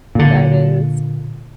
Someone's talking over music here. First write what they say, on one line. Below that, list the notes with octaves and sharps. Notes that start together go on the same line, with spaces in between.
That is.
A#2 D3